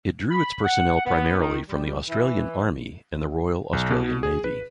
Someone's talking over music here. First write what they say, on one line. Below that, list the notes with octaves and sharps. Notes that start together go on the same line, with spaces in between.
It drew its personnel primarily from the Australian Army and Royal Australian Navy.
B5
F#5
B3
D#3
G3
E3
B1
B2
G#4
B4